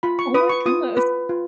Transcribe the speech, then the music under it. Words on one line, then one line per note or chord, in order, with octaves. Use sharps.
Oh my goodness.
F4 B5
C#6
B4 D#6
C#6
F4 D#6
B4
F4